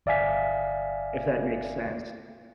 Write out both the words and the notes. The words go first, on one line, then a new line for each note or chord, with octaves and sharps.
if that makes sense.
G1 D5 E5 F5 G#5 B6